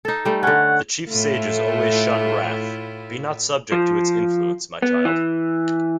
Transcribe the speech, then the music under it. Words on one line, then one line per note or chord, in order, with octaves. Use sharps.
The chief sages always shun wrath: be not subject to its influence, my child.
D#4 A4
G3 A3
D3 C#4 F#5
A2 A3 E4 F4
F3
B3
E3